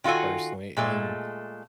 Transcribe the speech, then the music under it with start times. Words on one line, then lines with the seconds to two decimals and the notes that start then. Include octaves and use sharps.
personally, and,
0.04 D#3 F4 F#4 A4 G#5
0.77 A#2 G#3 A3